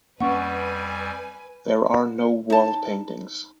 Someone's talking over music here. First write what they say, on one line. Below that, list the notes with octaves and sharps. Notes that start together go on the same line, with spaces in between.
There are no wall paintings.
F2 G3 A#3 C#4 B4 F#5 G#5 C#6
D#4 A5